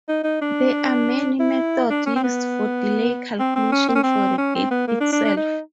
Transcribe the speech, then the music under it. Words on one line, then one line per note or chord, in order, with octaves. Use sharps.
There are many methods used for delay calculation for the gate itself.
D#4
D#4
D4
E4
D4
C#4
C4
B3
C4
C4
C#4
C4
C#4
C4
C#4
C4
B3
A#3
D4
D4
D4
D#4